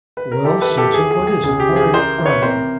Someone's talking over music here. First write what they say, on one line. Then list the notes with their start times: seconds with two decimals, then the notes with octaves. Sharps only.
'Well, Susan--what is it?--why are you crying?'
0.17 B4
0.32 A#4
0.45 E3 G4 A4
0.61 A4 B4
0.70 E3
0.77 G4 A4
0.94 D#2 G#4
1.11 G#4
1.19 D#2
1.27 G#4
1.44 C#2 G#4
1.60 G4
1.69 E3
1.76 G#4
1.93 C#3 A#4 C5
2.18 E3
2.26 B4 C#5
2.42 C3 A#4 C5